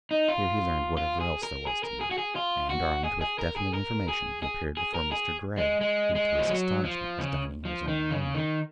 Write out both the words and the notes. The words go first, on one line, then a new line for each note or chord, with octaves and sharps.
Here he learned whatever else there was to know, and, armed with definite information, he appeared before Mr. Grey, who, to his astonishment, was dining in his own room.
D#4
F4
F4
G#4
A#4
G#4
A#4
G#4
F#4
G#4
F4
F#4
G#4
G#4
A#4
G#4
A#4
G#4
G#4
G#4
A#4
G#4
G#3
G#3
G#3
F3
F#3
F3
C#3
F3
D#3
C#3
D#3